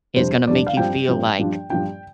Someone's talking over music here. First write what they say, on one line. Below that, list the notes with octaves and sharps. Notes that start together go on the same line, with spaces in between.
is gonna make you feel like
F2 C3 G3 D4 C5
F2 C3 G3 D4 D5
F5
G2 F3 C4 G5
G2 F3 C4
G2 F3 D4
G2 F3 D4 G5